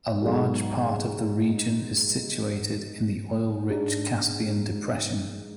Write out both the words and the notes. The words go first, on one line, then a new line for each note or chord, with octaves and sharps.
A large part of the region is situated in the oil-rich Caspian Depression.
G#2 F#3 B3 F#4 A4
G#2 G#3 D4